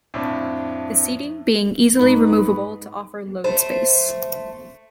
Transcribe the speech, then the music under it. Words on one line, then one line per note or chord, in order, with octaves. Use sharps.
The seating being easily removable to offer load space.
F2 A2 D4
G#2 D#4 B4
A3 C5